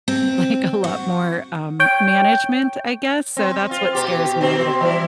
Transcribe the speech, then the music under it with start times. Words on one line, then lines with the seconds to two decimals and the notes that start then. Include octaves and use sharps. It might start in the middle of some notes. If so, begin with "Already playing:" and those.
like a lot more, um, management, I guess, so that's what scares me a little bit.
0.08 C4
0.84 F#4
1.80 C#5 G5
3.37 C4
3.71 F4
3.95 B2 G4
4.41 B2 C4
4.81 E3 G3 E4